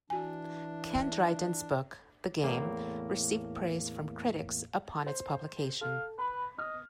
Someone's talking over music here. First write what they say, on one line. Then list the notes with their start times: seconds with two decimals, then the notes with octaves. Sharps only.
Ken Dryden's book "The Game" received praise from critics upon its publication.
0.10 E3 D4 F#4 G#5
2.43 E2 A2 A#3
5.07 C5
5.81 A4 F5
6.19 B4 B5
6.58 D#5 F6